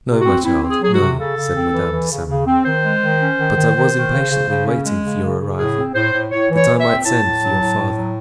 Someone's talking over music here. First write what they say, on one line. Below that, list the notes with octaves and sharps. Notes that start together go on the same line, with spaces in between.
"No, my child, no," said Madame de Saint-Meran; "but I was impatiently waiting for your arrival, that I might send for your father."
C3
F#4
C4
C4 E4
C4
G#4
F#3 G#4
F#4
C3
C#3 A4
C#3
C4
E3
E3
C#3
C#3
C4
D#3 C5
G#3
D#3
C#4
D#3
D#3
D#3
D#3
C#3
C#3
C#3
C#4
G#3
C#3
C#3
C#3
A2 G#4
C4
A2 C5
A2
A2 C#5
E3
C#5
E3
E5
C4
A2 A5
A2
F#3
A2
A2
F#3